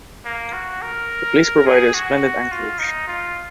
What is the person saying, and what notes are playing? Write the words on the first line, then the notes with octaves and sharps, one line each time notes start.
The place provided a splendid anchorage.
A#3
F#4
A#4
G#4
F#4
F4
D#4
F4